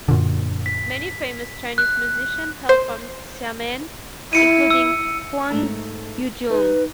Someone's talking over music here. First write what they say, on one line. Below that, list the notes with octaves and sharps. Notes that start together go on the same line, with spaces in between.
Many famous Chinese musicians hail from Xiamen, including Huang Yujun.
F#2 A#2 D3
B6
F#6
C5
E4 C#7 D#7
E6
G#2 A3 A#5
D#4 B4